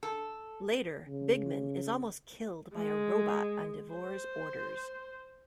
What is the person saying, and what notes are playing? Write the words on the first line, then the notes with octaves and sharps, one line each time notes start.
Later, Bigman is almost killed by a robot on Devoure's orders.
A4
C#3
G#3
C5